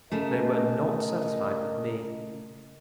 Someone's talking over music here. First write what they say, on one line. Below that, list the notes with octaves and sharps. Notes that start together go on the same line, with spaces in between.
They were not satisfied with me.
C#3 A3 A#4 D#5